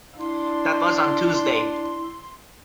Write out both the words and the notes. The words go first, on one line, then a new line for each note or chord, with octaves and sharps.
That was on Tuesday.
D4 E4 C6